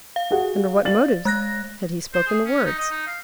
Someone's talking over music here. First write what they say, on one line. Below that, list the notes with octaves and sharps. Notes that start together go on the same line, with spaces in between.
Under what motives had he spoken the words?
F5
F#4 G#4 F#5
D5 A6 F#7
G#3 F#6 A#6
C5
G#4
C#4
D#4
D#5
D#4
F5